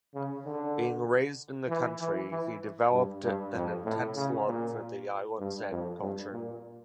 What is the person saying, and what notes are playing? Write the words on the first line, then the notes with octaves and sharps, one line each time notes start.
Being raised in the country, he developed an intense love for the island's agriculture.
C#3
D3
E3
E3
E3
G2
G2
F2
A2
C#3
A#2
G2
F2
G2
A#2